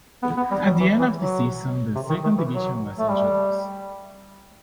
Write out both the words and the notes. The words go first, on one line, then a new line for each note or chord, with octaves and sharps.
At the end of the season the second division was introduced.
B3
B3
G3
F#3
E3
E3
F#3
C3
D#3
D#3
E3
F#3
A3
G3